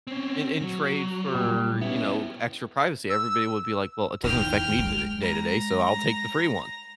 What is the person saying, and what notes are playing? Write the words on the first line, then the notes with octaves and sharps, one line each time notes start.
in in trade for, you know, extra privacy, everybody would be like, "Well, it doesn't affect me tod day to day, so I'll take the free one."
C4 C#4
F#3
A#2 G3
B3 C#4 E4
E6
E2 D#3 G5 F6
G#3
A#5